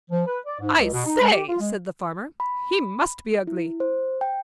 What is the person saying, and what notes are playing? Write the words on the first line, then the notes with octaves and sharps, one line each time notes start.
'I say!' said the farmer, 'he must be ugly!
F3
B4
D5
G#2
C#2
B2
D#4
G#3
G4
F4
G#3
B5
E4
C5
G5